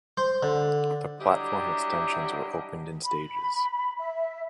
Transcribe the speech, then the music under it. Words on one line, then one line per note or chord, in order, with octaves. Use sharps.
The platform extensions were opened in stages.
C5
D3
F#3 G3 D4 E4 G4 D#5
B5
E5